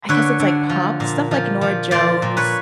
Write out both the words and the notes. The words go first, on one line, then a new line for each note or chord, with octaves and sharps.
I guess it's like pop stuff like Norah Jones,
D3 B4 C#5
D3
F3
A#2
F3
F3
F3 C5 D5
A#2
B4 C#5